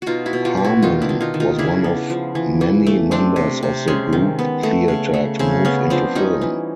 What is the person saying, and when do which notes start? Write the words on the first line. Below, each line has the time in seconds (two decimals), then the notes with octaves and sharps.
Harmon was one of many members of the Group Theatre to move into film.
0.02 B2 D#4 F4 F#4
0.26 E4 F#4
0.33 B2
0.45 F4 G4
0.57 B2
0.64 E4 F#4
0.82 D#3 D#4 F4
1.02 D4 E4
1.09 D#3
1.21 D#4 F4
1.34 D#3
1.40 D#4 F4
1.59 C#3 D4 E4
1.84 B3
2.10 F3
2.35 E3
2.61 E3
2.87 A3
3.11 A3 C4 D4
3.36 C3
3.63 C3
3.88 G#3 C#4
4.13 D#3
4.39 B3
4.63 A3
4.88 C#3
5.14 A3
5.39 C#3 C4
5.65 B3 C#4
5.90 F3 C4 D4
6.15 G3 C#4 D#4
6.41 E3